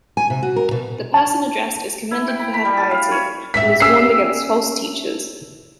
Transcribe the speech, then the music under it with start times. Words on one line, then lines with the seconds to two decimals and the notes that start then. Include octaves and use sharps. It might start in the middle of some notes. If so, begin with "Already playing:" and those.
The person addressed is commended for her piety, and is warned against false teachers.
0.17 G#5
0.30 C3
0.43 F#4
0.56 A#4
0.71 B2
1.14 A5
2.11 E4
2.28 G5
2.39 B5
2.54 B5
2.65 G3
2.77 A5
2.91 F5
3.11 C#5
3.54 G#2 C4 E5 B6
3.80 C#4 G4 E6 C7